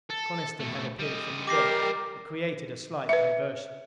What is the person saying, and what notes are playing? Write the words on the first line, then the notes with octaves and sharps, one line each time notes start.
Coniston had appeared from the deck; it created a slight diversion.
A4
B2 A3
G3 D#5
G4 A#4 D6 A#6 C7
B4 E5